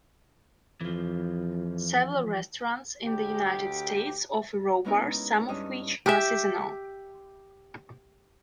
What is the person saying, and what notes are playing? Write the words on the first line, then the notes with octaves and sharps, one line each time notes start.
Several restaurants in the United States offer raw bars, some of which are seasonal.
F2 E3 F3
D2 G4
G#3 B3 C#4 D#4 E4 A#4
G2 C#4 D#5
G4 E5